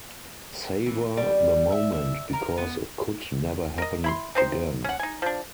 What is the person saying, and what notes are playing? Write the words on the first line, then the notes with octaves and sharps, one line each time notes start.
Savor the moment, because it could never happen again.
E3
G3
E5
E5
A#4
B3
A#4 D#5
E4 B5 C6
C4 D#4 C5
C#4 F#5
D#4 G#5
F3 D4